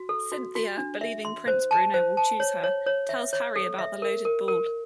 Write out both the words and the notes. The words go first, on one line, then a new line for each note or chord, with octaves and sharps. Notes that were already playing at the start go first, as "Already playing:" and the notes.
Cynthia, believing Prince Bruno will choose her, tells Harry about the loaded ball.
Already playing: F#4
A4
F#4
F#4
D4
E5
C6
C5
A5
C5
A5
C#5
C#5
C#5
E5
C#5
A4
E5
A#4
A#4
A#4